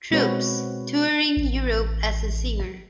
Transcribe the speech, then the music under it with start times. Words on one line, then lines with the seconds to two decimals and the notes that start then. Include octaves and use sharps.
Troops, touring Europe as a singer.
0.11 B2 G#3 C4 F#4 B4 C#5
1.37 A1